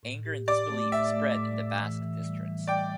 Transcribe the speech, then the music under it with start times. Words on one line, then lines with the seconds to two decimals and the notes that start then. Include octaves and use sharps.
Anger and disbelief spread in the Basque districts.
0.03 A2
0.25 G4
0.48 G4 D5
0.69 A3
0.92 A2 E5
1.13 A3
1.36 A2
1.58 A2
1.80 E3
2.02 E3
2.24 G3
2.46 E3
2.67 G3 D5 G5